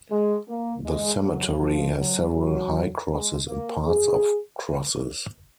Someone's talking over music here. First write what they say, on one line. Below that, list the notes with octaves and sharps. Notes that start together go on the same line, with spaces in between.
The cemetery has several high crosses and parts of crosses.
G#3
A#3
G#3
F#3
F3
F#3
F#3
G#3
A#3
G#4